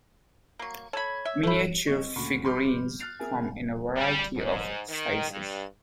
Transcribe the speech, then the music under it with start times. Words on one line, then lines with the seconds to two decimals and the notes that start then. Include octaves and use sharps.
Miniature figurines come in a variety of sizes.
0.59 F#3 A#3
0.93 A4 C#5 B5 G#6
1.25 E5
1.43 A3 E4 A4 E5
1.87 C4 D#5 C#6
2.16 D2 A#2 C#3 B5 C#6
2.45 B5 C6 D6 F6 G6
2.99 F6 F#6 A6 C7 F7
3.20 C4 G#4 A#4 E5 G#5
3.96 G3
4.36 G#2
4.89 D#3
5.30 G2